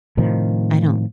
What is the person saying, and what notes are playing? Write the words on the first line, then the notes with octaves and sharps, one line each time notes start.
I don't
A2 C3 D#3 F3